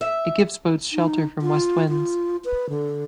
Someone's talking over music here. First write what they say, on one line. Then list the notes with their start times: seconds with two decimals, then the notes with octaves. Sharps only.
It gives boats shelter from west winds.
0.01 E5
0.93 D#4
1.42 F4
1.89 F4
2.45 B4
2.70 D3